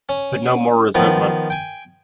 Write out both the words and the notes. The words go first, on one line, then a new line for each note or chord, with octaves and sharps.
But no more resentment.
C#4
D#3 F3 B3
G5 G#5